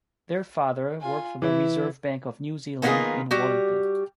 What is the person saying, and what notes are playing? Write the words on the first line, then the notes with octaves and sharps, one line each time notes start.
Their father worked for the Reserve Bank of New Zealand in Wellington.
F4 G#5
E3 E4
D#3 A#3 B3 C#4 F4 G#4
G3 F#4 G4